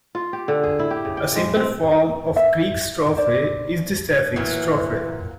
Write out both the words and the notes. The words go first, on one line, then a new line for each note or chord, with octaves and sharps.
A simple form of Greek strophe is the Sapphic strophe.
F4
G4
D3
G#4
E4
G4
C#3
G5
G#3
C4
E5
C5 D5
A#2 E3 F#3 A#3